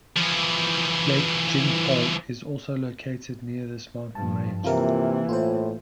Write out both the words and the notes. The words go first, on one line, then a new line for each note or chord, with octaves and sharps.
Lake Jingpo is also located near this mountain range.
E3 F3
G2 F3 A5
C3 E3 A#3 F4 A#4
A2 F4 C5